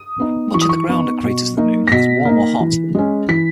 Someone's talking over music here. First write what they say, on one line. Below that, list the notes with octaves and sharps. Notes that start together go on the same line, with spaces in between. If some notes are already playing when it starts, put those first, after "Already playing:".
Much of the ground at Craters of the Moon is warm or hot.
Already playing: D#6
B3 D#4
E3 C#6
D#6
C#6
B3 D#4
B2
A#3 D#4
A#6
B2 B6
A#3 D#4
E3
G#3 C#4
E3 B6